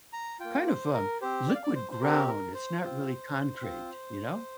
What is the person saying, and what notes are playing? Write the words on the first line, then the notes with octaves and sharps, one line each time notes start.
kind of, um, liquid ground, it's not really concrete, you know?
A#5
A#3 F4 G5
C5
A#4
C4 G4 C5
D5
F5
D5
C5
C5
C4 G4 A#4
A#4
C5
C4 F4 C5
C4 F4